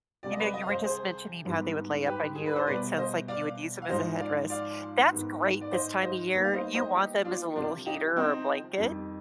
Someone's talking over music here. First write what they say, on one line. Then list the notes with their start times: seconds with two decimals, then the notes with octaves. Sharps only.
You know, you were just mentioning how they would lay up on you, or it sounds like you would use 'em as a headrest. That's great this time of year, you want them as a little heater or a blanket
0.23 D2 C3 G3 D5
0.32 D#5
0.39 B4 D5
0.54 D#5
0.61 F5
0.69 C5 D#5
0.84 G#4 C5
1.45 G#2 G3 B3
2.06 G4 B4
2.35 G#4
2.46 B4
2.56 C5
2.67 C2 B2 G3 B3 B4 D5
2.97 C5 D#5
3.28 D5 F5
3.82 F5
3.89 G#2 F3 G#3 C5 D#5
4.20 D5 F5
4.50 D5 F5
5.11 G#2 D#3 B3
5.61 D5
5.72 C5 D#5
6.02 C5 D#5
6.33 D#2 D#3 G3 B3
6.44 F5
6.54 C5 D#5
6.74 C5 D#5
6.94 D#4 G4
7.24 D4 F4
7.55 C2 C3 F3 D4 F4
7.86 D#4 G4
8.16 C4 D#4
8.78 F2 D#3 G3